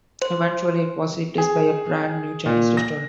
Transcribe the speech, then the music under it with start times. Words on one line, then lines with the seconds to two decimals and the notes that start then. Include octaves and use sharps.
Eventually it was replaced by a brand new Chinese restaurant.
0.22 C5
1.38 G#4
2.46 A#2
2.77 A#6